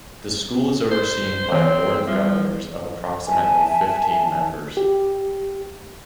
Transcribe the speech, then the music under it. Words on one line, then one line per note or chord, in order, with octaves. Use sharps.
The school is overseen by a Board of Governors of approximately fifteen members.
C5
E3 C4 C#5
F3 G3
E5 G#5 A5
G4